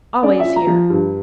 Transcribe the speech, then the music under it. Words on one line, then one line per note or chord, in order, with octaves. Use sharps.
"Always here!"
C#4 D5
E5
F4
A#5
F3
G2